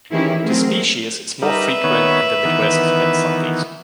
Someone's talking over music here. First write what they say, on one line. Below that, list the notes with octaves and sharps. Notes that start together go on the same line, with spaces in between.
The species is more frequent in the midwest than southeast.
D#3 E3 C#4 E4 G4 G#4
F#3 A3 C4 G#4 A#4
G3 D#4 A#4 B4 E5
D#3 B3 C#5
D#3 E3 B3